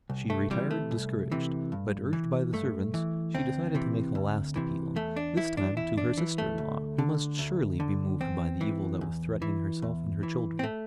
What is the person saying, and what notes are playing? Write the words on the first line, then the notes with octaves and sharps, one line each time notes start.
She retired discouraged, but, urged by the servants, she decided to make a last appeal, this time to her sister-in-law, who must surely be moved by the evil that was threatening herself and her children.
C2
A3
C3 E3 G3
A3
C2
C3 E3
G2
E3
G2 A3
E3
D2 C4
C3 E3
D2
C3 E3
E2 A3
D4
E3 E4
D4
E2 E4
D4
E3
A3
D2
D3
D2
D3
E2 C4
E3
E2
E3
E2
E3
C4
A3